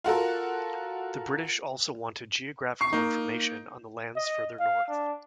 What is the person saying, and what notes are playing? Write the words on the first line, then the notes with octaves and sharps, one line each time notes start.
The British also wanted geographical information on the lands further north.
F4 F#4 A4 A#4
C#6 C7
A#3 D#4
D#5
F5
D4